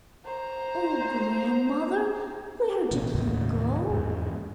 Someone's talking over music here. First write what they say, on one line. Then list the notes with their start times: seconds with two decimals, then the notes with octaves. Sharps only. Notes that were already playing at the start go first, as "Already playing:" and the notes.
"Oh, grandmother, where did he go?"
0.25 C5 A#5
2.91 A1 B2
3.15 D#2 A2 C#3 A#3
3.90 E2 G#2